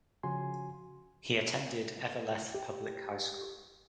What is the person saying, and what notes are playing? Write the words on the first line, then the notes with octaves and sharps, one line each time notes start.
He attended Eveleth Public High School.
C#3 F3 C#4 F#4 G#5 C6
G4